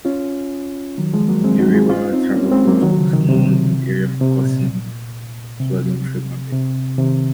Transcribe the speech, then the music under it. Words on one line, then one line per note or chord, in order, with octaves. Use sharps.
The river Tavropos was known in the area for causing flooding frequently.
C#4 F4
D#3 F#3
F3 G#3
F#3 A#3
G#3 C4
D#4 F#4
F4 G#4
C#4 F4
C4 D#4
A#3 C#4
G#3 C4
F#3 A#3
D#3 F#3
C#3 F3
C3 D#3
C3
C3
A#2
C3
C3
C3 D#3